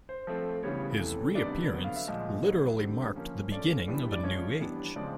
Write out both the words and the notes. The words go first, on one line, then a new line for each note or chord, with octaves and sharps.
His reappearance literally marked the beginning of a new age.
C5
F3 A3 C4
C#3 E3 G3 B3 C#5
C3 E3 A3
C3 D#3 G3 B3 D4 D5
D3 F#3 B3
F5
E5
A#2 F3 G#3 D#5
D#3 F#3 B3
D3 G3 C4
F3 A#3 C#4
F3 A3 C#4 D5
A2 E3 G3 B3 D4
D5
F3 G#3 C#4 C#5
E3 G3 B3 D4
C#3 F3 G#3 C4 D5